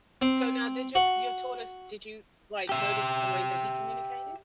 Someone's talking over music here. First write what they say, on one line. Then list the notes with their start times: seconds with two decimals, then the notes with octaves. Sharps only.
So, now did your your tortoise did you, like, notice the way that he communicated?
0.22 C4
0.95 F#4
2.69 G4 E5